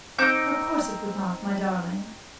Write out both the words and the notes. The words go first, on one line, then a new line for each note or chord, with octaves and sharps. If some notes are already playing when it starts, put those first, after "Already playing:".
"Of course it would not, my darling."
C4 D#4 D6 G6